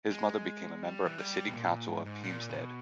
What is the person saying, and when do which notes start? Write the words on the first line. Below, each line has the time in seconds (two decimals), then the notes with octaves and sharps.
His mother became a member of the city council of Heemstede.
0.12 G#3
0.83 G3
1.06 E3
1.18 G3
1.48 B2
1.53 A#2
1.71 A#2
1.88 G#2
2.06 G#2
2.23 A#2
2.49 C#3
2.59 B2